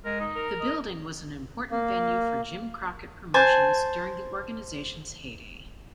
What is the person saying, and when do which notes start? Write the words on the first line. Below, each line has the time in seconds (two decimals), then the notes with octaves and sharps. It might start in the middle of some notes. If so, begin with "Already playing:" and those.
The building was an important venue for Jim Crockett Promotions during the organization's heyday.
0.05 G#3 A#4
0.20 D#4
0.35 A#4
0.60 D#5
1.71 A#3
3.34 C5 G#5 A5